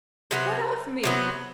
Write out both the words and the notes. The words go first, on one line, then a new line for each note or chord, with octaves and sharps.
What of me?
C3 F#3 B3
C3 F#3 B3